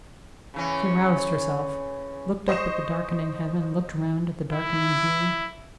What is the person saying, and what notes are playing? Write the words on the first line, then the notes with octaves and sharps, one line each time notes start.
She roused herself; looked up at the darkening heaven, looked round at the darkening view.
C#3 E3 C#4
C5 D#5 C#6 C7 E7
E4